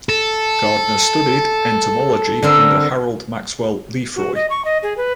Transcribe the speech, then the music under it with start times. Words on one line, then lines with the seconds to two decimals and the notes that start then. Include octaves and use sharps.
Gardner studied entomology under Harold Maxwell Lefroy.
0.09 A4
2.42 D3 C4 A#4
4.16 F#4
4.35 D#5
4.50 C#6
4.65 D#5
4.83 G#4
4.97 B4